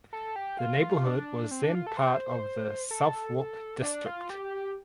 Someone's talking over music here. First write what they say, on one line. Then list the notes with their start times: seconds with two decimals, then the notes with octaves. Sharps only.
The neighborhood was then part of the Southwark district.
0.13 A4
0.36 G4
0.59 F4
0.82 F4
1.05 D4
1.51 C4
1.63 D4
1.75 F4
1.87 A4
1.97 C5
2.91 A4
3.82 D4
4.06 F4
4.30 G4